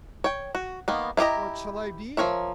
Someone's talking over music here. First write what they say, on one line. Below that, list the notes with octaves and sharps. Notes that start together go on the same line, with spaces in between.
"What shall I be?"
C#5 G5
F#4
D#3 A#3 B3
E4 F4 G4 D#5 A#5
F3 A#4 C#5 E5